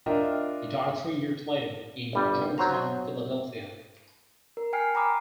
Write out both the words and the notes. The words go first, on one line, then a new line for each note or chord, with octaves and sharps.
He died three years later in Germantown, Philadelphia.
D4 F4 A#4 D#5 E5 G5
G1 G3
F#3 C5 A#5
A#4
G5 G#5 F6 C7
A#5 B5 D6 D#6